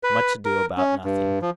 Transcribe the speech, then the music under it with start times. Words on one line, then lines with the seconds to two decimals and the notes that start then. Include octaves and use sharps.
Much Ado about Nothing.
0.03 B4
0.45 A#4
0.78 C#4
1.05 G2
1.42 F3